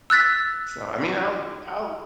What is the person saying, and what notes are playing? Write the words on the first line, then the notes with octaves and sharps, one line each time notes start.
so, I mean, I'll I'll
E6 F#6 A6 B6